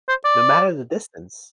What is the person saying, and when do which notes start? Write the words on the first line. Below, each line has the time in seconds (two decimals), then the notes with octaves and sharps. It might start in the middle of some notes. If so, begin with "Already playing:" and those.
no matter the distance,
0.08 C5
0.25 D5